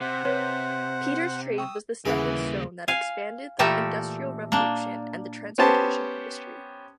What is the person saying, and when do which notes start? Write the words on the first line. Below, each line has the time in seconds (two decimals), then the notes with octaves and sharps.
Peter's trade was the stepping-stone that expanded the industrial revolution and the transportation industry.
0.01 C3 C5 F#5
0.25 C3 B4 C#5
1.58 G5 C#6 D#6 E6
2.05 D#2 C#3 E3 G3 A#3 G#4 B4 F#5
2.88 F5 G#5
3.59 A#2 E3 A3 G4 A4 A#4
4.52 A#3 D4
5.58 B3 C#4 G4 C5 A5